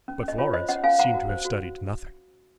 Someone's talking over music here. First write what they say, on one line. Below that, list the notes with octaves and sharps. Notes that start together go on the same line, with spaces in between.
But Florence seemed to have studied nothing.
C#4
C#4
D#5
F4 C#5
C5 D#5
C#4 D#5 F#5
C#4 F5 G#5
C5 F#5 A#5
F#4
C5
F#4